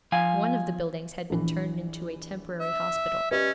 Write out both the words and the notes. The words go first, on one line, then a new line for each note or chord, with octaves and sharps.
One of the buildings had been turned into a temporary hospital.
F3 F5 G#5
A#1 E3
E5
G3 C#4 B4 D#5